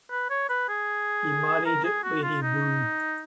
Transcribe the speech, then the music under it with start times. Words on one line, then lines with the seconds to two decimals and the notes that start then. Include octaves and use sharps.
He married Lady Wu.
0.11 B4
0.30 C#5
0.49 B4
0.69 G#4
1.65 A#4
1.85 G#4
2.04 F#4
2.23 F4
2.42 D#4